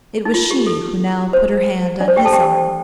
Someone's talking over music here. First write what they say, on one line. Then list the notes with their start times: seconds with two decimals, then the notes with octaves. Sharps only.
It was she who now put her hand on his arm.
0.25 D#4
0.34 F4
0.51 G4
0.66 A4
1.33 C5
2.00 D4 D5
2.08 C5
2.16 G4 G5
2.25 A4 A5
2.33 G4 G5